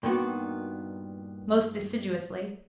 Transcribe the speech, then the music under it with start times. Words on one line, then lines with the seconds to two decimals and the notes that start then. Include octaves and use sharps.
Most deciduously.
0.03 G2 A#2 D#3 B3 D#4 F#4